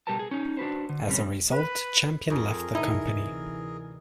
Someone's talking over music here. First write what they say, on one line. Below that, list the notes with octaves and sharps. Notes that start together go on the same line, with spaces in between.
As a result, Champion left the company.
B2 G3 G4 A#4 B4 A5
G#4
C#4 D#4
D4 F#4 B4 C5
D3
G2 B2 D3 G3 C4 C#4
B4
F2 G#4 A#4
D2 C3 E3 D#4 E4